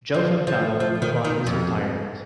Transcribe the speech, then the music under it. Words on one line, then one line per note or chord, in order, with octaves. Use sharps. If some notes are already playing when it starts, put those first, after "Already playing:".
Joe Fontana upon his retirement.
F3
F3
F3
D#3
D#3
F2